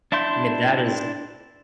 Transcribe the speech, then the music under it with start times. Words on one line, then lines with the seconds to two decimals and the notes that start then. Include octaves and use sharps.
I mean, that is
0.12 D4 E4 E5 C6 G6